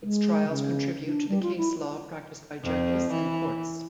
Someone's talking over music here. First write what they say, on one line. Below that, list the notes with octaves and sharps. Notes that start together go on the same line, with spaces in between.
Its trials contribute to the case law practiced by judges and courts.
G#3
C#3
D4
G3
F4
E4
F2
E3